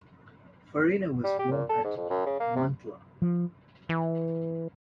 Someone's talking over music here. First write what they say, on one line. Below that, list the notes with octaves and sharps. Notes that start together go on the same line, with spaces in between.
Farina was born at Mantua.
G3
G4
A#2
A4
G#2
F2
F#2
C#3
A#3
C3
F3
E3